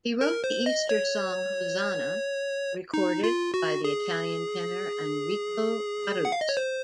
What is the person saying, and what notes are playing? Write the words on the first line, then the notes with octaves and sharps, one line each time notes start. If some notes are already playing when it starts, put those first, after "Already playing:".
He wrote the Easter song "Hosanna" recorded by the Italian tenor Enrico Caruso.
A#4
C5
D#5
C#5
D#4
F4
F#4
G#4
F#5
F5
D#5
C#5
C5